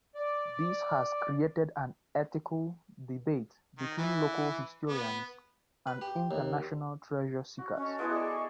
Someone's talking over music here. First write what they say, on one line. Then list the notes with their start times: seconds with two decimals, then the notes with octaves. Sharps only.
This has created an ethical debate between local historians and international treasure seekers.
0.15 D5
3.78 D#3
3.97 E3
4.89 B3
5.87 B4
6.01 G4
6.31 D#2
7.58 F#4
7.77 C#4 A4 D#5 C#6
7.99 G#3 B3 E4 B4
8.10 G#4 D5